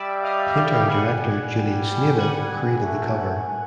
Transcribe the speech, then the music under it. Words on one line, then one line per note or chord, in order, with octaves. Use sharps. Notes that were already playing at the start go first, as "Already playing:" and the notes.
Painter and director Julian Schnabel created the cover.
Already playing: G3 D5 E5
D#5 F5
F5 G5
F#5 G#5
G3
F#5 G#5
A3